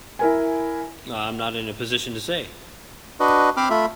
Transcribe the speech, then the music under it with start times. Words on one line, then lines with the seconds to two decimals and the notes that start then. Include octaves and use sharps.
I'm not in a position to say.
0.19 E4 A#4 G#5
3.20 D4 F#4 B4 D#5
3.57 C4 C5 G5 B5 D6 F6
3.70 A3 F4 E5 B5